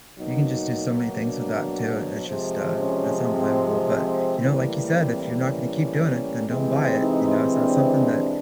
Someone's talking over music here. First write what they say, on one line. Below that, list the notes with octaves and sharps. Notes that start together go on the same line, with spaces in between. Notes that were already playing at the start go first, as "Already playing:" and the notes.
You can just do so many things with that too. It's just, uh, that's unbelievable, but, you know, like you said, "If you're not gonna keep doing it, then don't buy it," you know? So it's something that
B2 F#3 A#3 D#4
D4
C3 F3 G#3
C#4
C4
C4
A2 E3 G3 A#3
C4
C#4
C3 E3 G#3 C4
D#4
D4